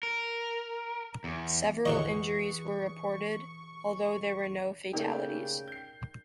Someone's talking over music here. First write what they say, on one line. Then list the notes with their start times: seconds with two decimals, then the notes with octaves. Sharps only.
Several injuries were reported, although there were no fatalities.
0.03 A#4
1.24 E2
1.85 D2 A2 E3 G#4 B4 D#5 C#6
4.93 C#3 A3 A#3 D#4 G4 A#4 D5 G5
5.68 G6 C7